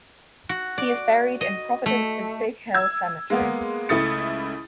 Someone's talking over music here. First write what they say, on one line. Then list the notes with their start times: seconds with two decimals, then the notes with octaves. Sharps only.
He is buried in Providence's Big Hill Cemetery.
0.49 F#4
0.78 D5
1.41 D#5
1.86 A3
2.74 E6 G#6
3.30 G#3 A#3 B3
3.89 C#2 A3 E4 D#6 A6 C#7